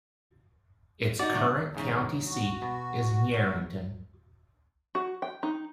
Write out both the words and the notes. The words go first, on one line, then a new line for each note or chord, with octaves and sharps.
Its current county seat is Yerington.
D#4 F#4 D5
A2 D3 F#3
E2 G#2 C#3
F#4
B2
F#4
G5
D#4